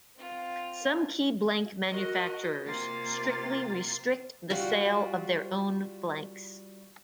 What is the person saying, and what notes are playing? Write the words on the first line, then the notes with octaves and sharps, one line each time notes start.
Some key blank manufacturers strictly restrict the sale of their own blanks.
C4 F4
F#4 A#4 D#5
C3 A#3 F4 A6
G3 F4 F#4